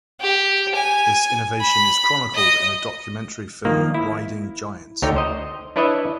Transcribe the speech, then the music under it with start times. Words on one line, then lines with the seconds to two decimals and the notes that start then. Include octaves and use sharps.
This innovation is chronicled in the documentary film, "Riding Giants".
0.20 G4
0.75 G#5
1.60 B5
2.35 D#5
3.65 D#3 F3 A#3
3.94 E4
5.02 D2 D3 D#4 C#5 G5 A#5
5.16 C5 D#5
5.76 D4 E4 B4 C#5 D#5 E5